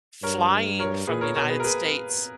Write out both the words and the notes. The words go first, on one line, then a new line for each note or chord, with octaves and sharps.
flying from the United States
G2 A#4 C#5
A#4 C#5
A#2 G#4 B4
A#4 C#5
B2 A#4 C#5
G#4 B4
A#4
G#4 B4